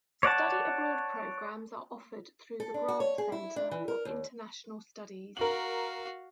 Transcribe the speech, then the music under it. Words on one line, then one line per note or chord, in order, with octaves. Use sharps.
Study abroad programs are offered through the Grant Center for International Studies.
C#5 D5 F#5 A5
A4
D4
F#4
C#5
G#4
E4
D4
E3
A#4
D#2
F#4 A#4 F5 F#7